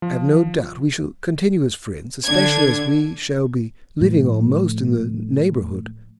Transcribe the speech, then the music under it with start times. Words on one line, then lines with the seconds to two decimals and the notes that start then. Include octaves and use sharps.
I have no doubt we shall continue as friends, especially as we shall be living almost in the neighbourhood.
0.02 F3
2.23 D3 D4 G#6
4.01 A2 F3